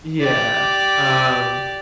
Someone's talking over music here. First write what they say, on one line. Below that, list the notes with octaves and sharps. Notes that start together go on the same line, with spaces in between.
Yeah, um,
G4 D5